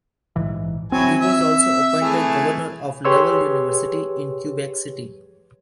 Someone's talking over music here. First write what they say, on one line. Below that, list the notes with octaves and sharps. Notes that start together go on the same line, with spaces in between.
He was also appointed Governor of Laval University in Quebec City.
A#1 G#2 E3
F#3 C4 E4 G#5
E5
E3 A3 G#4
G4 G#4 B4 C#5 C6 E6